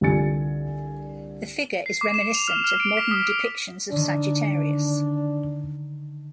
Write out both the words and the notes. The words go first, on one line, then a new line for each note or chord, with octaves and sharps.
The figure is reminiscent of modern depictions of Sagittarius.
C2 D3 F4 G#5 A6 C#7
C7
D6
E7
F7
F6
F6
D7
B6
D#6
D#6
D3 D#3 D4